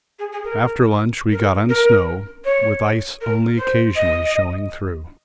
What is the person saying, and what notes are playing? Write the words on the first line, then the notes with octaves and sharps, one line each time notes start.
After lunch we got on snow, with ice only occasionally showing through.
G#4
G#4
A#4
A#4
A#4
C#5
A#4
C5
D#5